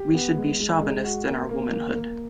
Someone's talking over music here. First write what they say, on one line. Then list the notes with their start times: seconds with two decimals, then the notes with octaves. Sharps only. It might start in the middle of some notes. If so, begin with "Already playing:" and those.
We should be chauvinist in our womanhood.
Already playing: G4
0.15 B3
0.37 G#3
0.60 G#3
0.81 G#3
1.04 F#4
1.27 A#3
1.49 A#3
1.71 A#3
1.93 A#3